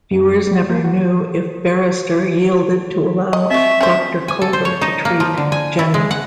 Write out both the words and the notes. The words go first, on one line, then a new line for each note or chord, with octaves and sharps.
Viewers never knew if Barrister yielded to allow Doctor Culver to treat Jenny.
F#2
G3
A#3
F#4
D#5
C4 E5 C#6
C#4 C5 E5
G#5
A4
C5
C#5
D#4
A#3
F3
D3
G#5
E4
G#3
F#5